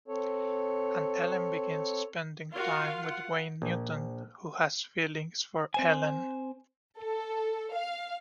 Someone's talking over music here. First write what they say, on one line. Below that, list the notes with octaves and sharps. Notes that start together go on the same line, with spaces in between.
And Ellen begins spending time with Wayne Newton, who has feelings for Ellen.
C4 A4 C#5
F4 F#4 A#4 F5
F#5
A#1
C4 C5 G#5
A4
F5